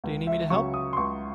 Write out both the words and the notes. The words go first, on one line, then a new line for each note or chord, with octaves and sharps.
Do you need me to help?
C#2
E5
C#3 F#3 C#6
D#6
C6
C#2 C#6